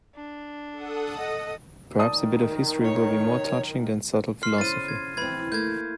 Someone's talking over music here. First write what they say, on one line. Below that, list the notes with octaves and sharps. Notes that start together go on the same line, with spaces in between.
Perhaps a bit of history will be more touching than subtle philosophy.
D4
A4 F#5 D#6
D#5
D#3 D5 A5 D#6
C#5
C6 F6 C7
C#3 E4 C5 A6 D#7
G#6
E3 C4 B5 G#6
A3 A#3 E4 G6 G#6